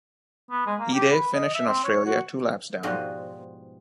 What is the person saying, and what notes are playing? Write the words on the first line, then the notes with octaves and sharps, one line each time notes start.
Ide finished in Australia, two laps down.
B3
G#3
A#3
G4
B4
D#5
E5
C4
C#5
F#4
G#2 B2 F3 G3 F#4 D#5